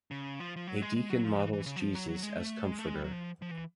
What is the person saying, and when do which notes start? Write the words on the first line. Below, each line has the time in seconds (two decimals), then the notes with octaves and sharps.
A deacon models Jesus as comforter.
0.11 C#3
0.40 F3
0.56 F3
0.67 F#3
0.82 G#3
0.96 G#3
1.10 F#3
1.24 F3
1.38 E3
1.53 E3
1.66 C#3
1.76 F#3
1.80 F3
1.95 F#3
2.08 F#3
2.23 G#3
2.37 A3
2.66 G#3
2.79 A3
2.87 G#3
2.95 G3
3.04 F#3
3.12 F3
3.42 F3
3.51 E3